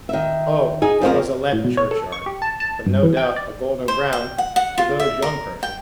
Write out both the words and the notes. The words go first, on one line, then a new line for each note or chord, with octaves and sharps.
O it was a leaden churchyard, but no doubt a golden ground to those young persons!
D#3 E5
D#4 G#4
F2 F3 F4 A#4
A2
B2
C#5
A4
C#6
G4
A5
A5
G2
E3
G5
D5
C5
G5
F#5
F#5
F4
E5
A#4
G5